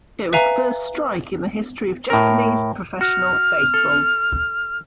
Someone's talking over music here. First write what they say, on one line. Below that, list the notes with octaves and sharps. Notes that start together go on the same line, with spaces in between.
It was the first strike in the history of Japanese professional baseball.
B4 E5 F5 G#5 A#5
A2 A#4
F#4 F6
A4